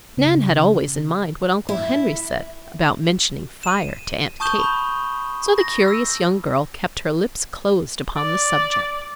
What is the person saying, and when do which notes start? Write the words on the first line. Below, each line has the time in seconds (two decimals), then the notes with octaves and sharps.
Nan had always in mind what Uncle Henry said about mentioning fire to Aunt Kate; so the curious young girl kept her lips closed upon the subject.
0.17 C#3
1.69 E4
3.63 D#7 E7
4.40 A5 C#6 D#6 G6 E7 G7
4.59 B5 G6
5.58 A#6
5.88 E6
8.16 D5